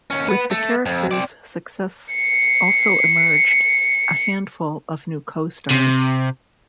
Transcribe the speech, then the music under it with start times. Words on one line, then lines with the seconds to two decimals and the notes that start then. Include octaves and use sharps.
With the character's success also emerged a handful of new costars.
0.10 D#2 C#4
0.29 B3 B4
0.51 A3
0.86 F2
1.11 C4 D5
2.15 C7 C#7
5.71 C3